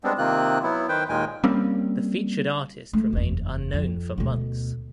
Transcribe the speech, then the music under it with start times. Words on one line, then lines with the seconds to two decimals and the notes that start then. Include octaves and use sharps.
The featured artist remained unknown for months.
0.04 G3 G#3 B3 C4 D4
0.18 C3 D#3 A#3 C4 F4 F#6
0.63 F#3 B3 E4
0.89 D#3 B4 C5 G5
1.09 D#2 A#2 D#3 G#3 G5 G#5
1.44 G3 A#3 C4 C#4
2.93 A3
3.13 F#1 E2
3.73 F2
4.18 D2 B2